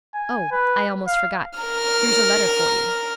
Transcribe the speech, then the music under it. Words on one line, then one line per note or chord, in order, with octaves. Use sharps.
'Oh, I almost forgot--here's a letter for you.'
G#5
B4
F5
A#4 F6